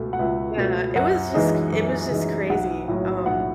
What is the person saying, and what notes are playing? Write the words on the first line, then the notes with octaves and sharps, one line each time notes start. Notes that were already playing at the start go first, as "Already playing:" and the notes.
Yeah. It was just cr it was just crazy. Um,
Already playing: C#2 B2 A3
F#5
C#2 E5
B2 A3
F#2 F#5
E3 G#3 D#4
F#2
E3 G#3 D#4
B1 F#5
A2 F#3
B1 F#5